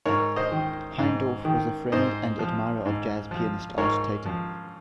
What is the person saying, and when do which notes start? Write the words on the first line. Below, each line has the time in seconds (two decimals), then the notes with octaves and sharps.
Heindorf was a friend and admirer of jazz pianist Art Tatum.
0.05 G#2 A#4 C#5
0.36 C5 D#5
0.52 D#3
0.99 G#2
1.45 D#3
1.92 G#2 C5 D#5
2.39 F3
2.85 G#2
3.31 F3
3.78 G#2 A#4 C#5
4.25 F3